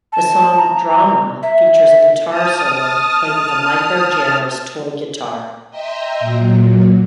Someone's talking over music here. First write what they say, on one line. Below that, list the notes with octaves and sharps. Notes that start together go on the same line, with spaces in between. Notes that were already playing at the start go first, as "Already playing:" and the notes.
The song "Drama" features a guitar solo played with a Micro Jammers' toy guitar.
A5
A#5
E5
A5 D#6 F6
D#5 E5 G5 A#5 C6
A#2 F#3